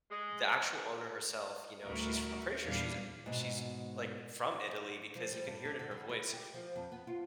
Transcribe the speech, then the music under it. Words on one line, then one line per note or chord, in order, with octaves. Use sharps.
the actual owner herself, you know, she's f I'm pretty sure she's a she's, like, from Italy because you can hear it in her voice.
G#3
D2 A2 G3 E4 F#4 A#4
E2 A#2 G3 D4 B4 F5
G#2 B2
F3
G3
G2
D4
D3
G3
E4
G4
F3
F2
B3
F4